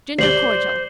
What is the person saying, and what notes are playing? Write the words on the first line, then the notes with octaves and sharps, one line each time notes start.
Ginger cordial.
D2 G3 C5 D5 C7 F#7 G7